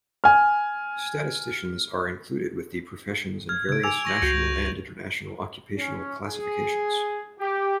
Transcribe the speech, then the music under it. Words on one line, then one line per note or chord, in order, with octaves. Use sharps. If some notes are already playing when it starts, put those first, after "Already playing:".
Statisticians are included with the professions in various national and international occupational classifications.
G#5 F6
F6 G#6
C#3 G#6 D7
G#5 D6 E6 D7 F7
C#6 A#6 F#7
C#2 F#4 G6 F7
C#4
G#4
G4